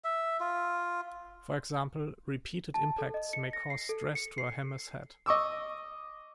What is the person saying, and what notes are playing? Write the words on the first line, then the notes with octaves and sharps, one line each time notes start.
For example, repeated impacts may cause stress to a hammer's head.
E5
F4
A5
A4
D#5
C#7
A#6
C7
A4
C#7
C7
D#5 C#6 D6 E6